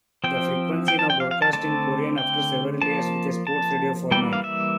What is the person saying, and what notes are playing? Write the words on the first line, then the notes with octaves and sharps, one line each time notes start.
The frequency now broadcast in Korean after several years with a sports radio format.
F3 C4 G5
G5
A5
G5
F5
F5
A5
D3 A3 C4 A5
G5
F3 A#3 A5
A5
E3 G3 A#3 G5
F5
E5